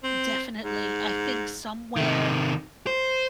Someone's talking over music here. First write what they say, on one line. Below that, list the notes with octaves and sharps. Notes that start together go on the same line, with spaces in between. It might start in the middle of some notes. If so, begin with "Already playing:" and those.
Definitely, I think somewhere
C4
G#2
C3 D#3
C5